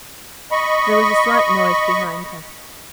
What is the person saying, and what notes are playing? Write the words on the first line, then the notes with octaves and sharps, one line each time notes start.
There was a slight noise behind her.
D#5 B5 C#6